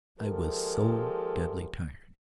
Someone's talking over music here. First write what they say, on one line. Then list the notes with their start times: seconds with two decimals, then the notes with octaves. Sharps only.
I was so deadly tired.
0.19 D#2 F3 G#3 G4 A4 A#4